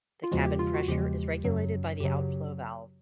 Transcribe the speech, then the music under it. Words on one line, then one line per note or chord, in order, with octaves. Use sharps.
The cabin pressure is regulated by the outflow valve.
F4
E2 C#3 F3 G#3 F#4
G4
F4
F#4
E2 C#3 F3 G#3 G4
F#2 C#3 F#3
F#2 C#3 F#3 G4